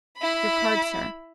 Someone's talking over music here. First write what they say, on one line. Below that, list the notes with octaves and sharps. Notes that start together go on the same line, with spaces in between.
"Your card, sir."
E4 B5